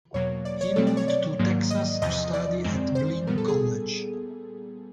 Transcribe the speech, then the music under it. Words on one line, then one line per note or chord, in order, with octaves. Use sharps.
He moved to Texas to study at Blinn College.
E2 B2 F#3 A#3 C#5
D5
C#5
B2 F#3 A3 C4 A4
D5
C#5
D5
G#2 D#3 F#3 A#3
D#5
E2 C3 F3 D#5
D5
F#2 D#3 G#3 C4
C5
A#2 G3 B3 A#4
A4
G#4